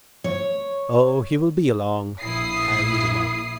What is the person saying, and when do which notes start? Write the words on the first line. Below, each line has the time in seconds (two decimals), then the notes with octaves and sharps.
"Oh, he will be along," Harry remarked.
0.24 C#5
2.21 A#1 E4 D#6 C7